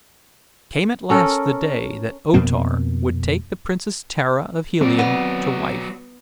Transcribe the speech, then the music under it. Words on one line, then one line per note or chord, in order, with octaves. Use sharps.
Came at last the day that O-Tar would take the Princess Tara of Helium to wife.
C#4 A4 A#4
F2 B2 A#3 C4
F#3 C4 D5
B3